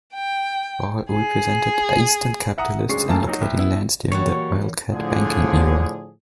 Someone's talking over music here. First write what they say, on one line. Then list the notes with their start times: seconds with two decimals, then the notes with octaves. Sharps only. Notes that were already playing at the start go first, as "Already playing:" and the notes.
Ball represented eastern capitalists in locating lands during the "wildcat banking" era.
0.14 G5
1.10 G#4
2.58 E5 F#5 A#5 D#6
2.89 D1 C#3 G#3 D4 C#6 C7
3.08 F1 D2 A3 A#3 G#5 A5
3.27 F#3 D#4 F#4
3.41 C2
3.56 B3 E4
4.12 E3 F#3 G3 A#3 F#4 A4 C#5
4.91 A2 D3 F3 G#4